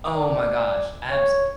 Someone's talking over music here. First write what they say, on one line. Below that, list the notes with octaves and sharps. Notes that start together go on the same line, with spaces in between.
Oh, my gosh, abs
D5
C#5